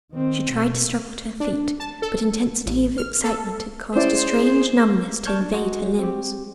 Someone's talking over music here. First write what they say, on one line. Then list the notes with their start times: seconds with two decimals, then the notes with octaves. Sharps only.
She tried to struggle to her feet, but intensity of excitement had caused a strange numbness to invade her limbs.
0.12 D#3 C4
0.52 B2
1.40 D4
1.80 A5
2.02 A4
2.66 A1
2.98 F6
3.24 A4
3.96 C#4 E4 G#4 C5 D5
5.25 D5 A5 C#6 F6 G6 G#6
5.41 D4
5.53 G#3 F#4
5.99 C4 G4